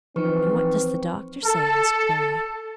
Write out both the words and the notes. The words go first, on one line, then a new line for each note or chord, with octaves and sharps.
"And what does the doctor say?" asked Mary.
E3 F3 C4 D#4 B4 C#6 F6
A4